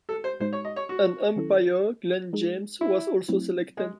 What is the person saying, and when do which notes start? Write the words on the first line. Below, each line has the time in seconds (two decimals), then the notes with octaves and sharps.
An umpire, Glenn James, was also selected.
0.09 A4
0.24 C5
0.40 A2 G#3 D#4 C5
0.53 C#5
0.65 D#5
0.76 C#5
0.89 F#4
1.36 D#3 F#3 C#4 E4 A4
2.33 G#3 D#4 G#4
2.81 E4
3.28 F#3 A3 C4 E4
3.77 G#3